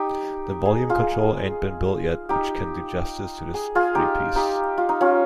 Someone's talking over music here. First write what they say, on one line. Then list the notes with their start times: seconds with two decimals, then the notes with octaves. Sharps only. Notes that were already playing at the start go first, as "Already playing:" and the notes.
The volume control ain't been built yet which can do justice to this three-piece!
Already playing: D#4 G4
0.66 G#4
0.89 F4 G#4
2.29 D#4 G4
3.54 G#4
3.75 F4 G#4
3.95 D#4 G4
4.36 D#4 G4
4.78 F4
4.89 D#4
5.01 C#4 F4